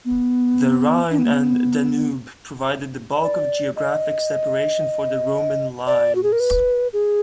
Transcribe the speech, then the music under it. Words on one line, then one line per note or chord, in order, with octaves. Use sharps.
The Rhine and Danube provided the bulk of geographic separation for the Roman "limes".
B3
D4
B3
A#3
B3
D5
D#5
D5
F#4
G#4
A#4
B4
G#4